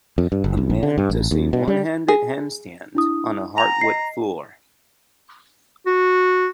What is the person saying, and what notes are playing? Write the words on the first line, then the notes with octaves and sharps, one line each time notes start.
A man does a one handed handstand on a hardwood floor.
F2
G2
F#1
C2
A#1
D3
G2
A1
D#2
B2
G3
G#4
D4 E4 D#6
F#5 G#5 A#5 F7
D#5 C7
F#4